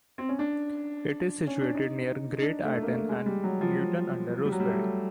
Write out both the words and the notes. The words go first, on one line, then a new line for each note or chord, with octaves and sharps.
It is situated near Great Ayton and Newton under Roseberry.
C4
C#4
D4
C#4
D4
D#4
D#4
D4
A3
A#3
A3
G#3
G3
F#3
F3
G3
F#3
G3
A3